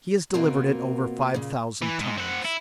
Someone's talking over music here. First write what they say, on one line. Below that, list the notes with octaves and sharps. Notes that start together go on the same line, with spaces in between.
He has delivered it over five thousand times.
B2 A#3 C4 F4 F#4 A#4
A#2 C#3
E3
G#2 G#3
C4 F#5
E4